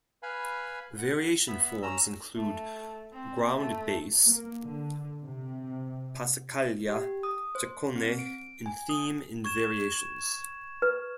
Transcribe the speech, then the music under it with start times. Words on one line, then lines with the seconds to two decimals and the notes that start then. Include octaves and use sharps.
Variation forms include ground bass, passacaglia, chaconne, and theme and variations.
0.23 B4 F5 G#5 B5
0.98 F#5
1.48 B3 E5 B5
1.82 C#4 A#5 E6
2.36 A3
3.14 C4
3.55 A3
4.24 A#3
4.64 D3
5.23 C3
6.89 G4
7.23 D#6
7.55 C5
7.96 C4
8.19 D7
8.66 G#5
8.89 D#6
9.44 C#6 G#6 E7
10.82 B4